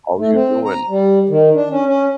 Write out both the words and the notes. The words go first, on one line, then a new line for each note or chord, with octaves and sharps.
how you doin'?"
A3
C4
A#5
G3
D#3
D4
C#4
C#4